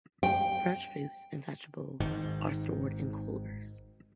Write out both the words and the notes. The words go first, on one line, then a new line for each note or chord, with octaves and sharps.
Fresh fruits and vegetables are stored in coolers.
G5
G#1 G#2 D#3